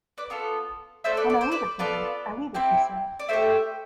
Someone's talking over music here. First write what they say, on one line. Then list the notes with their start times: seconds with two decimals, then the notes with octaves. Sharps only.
"When I leave a thing, I leave it," he said.
0.18 B4 D5
0.30 B3 F4 A4
1.04 A3 D4 A4 C5 E5
1.17 B4 D5
1.30 D5
1.41 C5
1.52 B4 D5
1.79 B3 F4 A4 B4 D5
2.54 C4 E4 G4
3.19 D5
3.29 A3 E4 C5 E5
3.33 G4